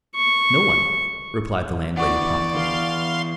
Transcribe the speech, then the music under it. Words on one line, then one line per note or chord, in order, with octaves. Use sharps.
"No one," replied the landlady promptly.
C#6
E3 B3 D5 F#5 C#6
F5 C6